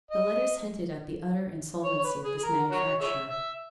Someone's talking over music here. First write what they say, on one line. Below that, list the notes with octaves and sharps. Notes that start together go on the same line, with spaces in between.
The letters hinted at the utter insolvency of this manufacturer.
D#5
C#5
C#5
B4
G#4
G#4
A#4
F#4 A#4 C#5
G#4 C#5 E5
E5